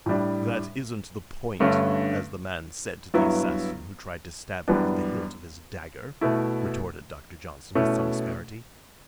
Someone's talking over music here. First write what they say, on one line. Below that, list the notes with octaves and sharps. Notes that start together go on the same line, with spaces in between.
"That isn't the point, as the man said to the assassin who tried to stab him with the hilt of his dagger," retorted Doctor Johnson, with some asperity.
A2 G3 D4
G2 D3 A3 C#4
G2 F#3 B3 E4
F#2 E3 G3 B3 D4
B2 A3 E4
B2 A3 C#4 E4